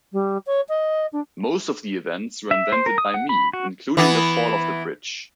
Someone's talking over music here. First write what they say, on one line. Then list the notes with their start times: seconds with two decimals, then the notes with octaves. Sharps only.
Most of the events were invented by me, including the fall of the bridge.
0.12 G3
0.46 C#5
0.68 D#5
1.12 D4
2.51 E5
2.72 C5
2.86 A#4
2.98 D#6
3.14 F#5
3.29 B5
3.53 F#4
3.97 E3 B3